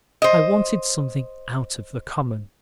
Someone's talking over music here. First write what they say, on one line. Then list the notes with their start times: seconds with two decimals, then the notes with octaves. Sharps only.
I wanted something out of the common.
0.22 C5 D#5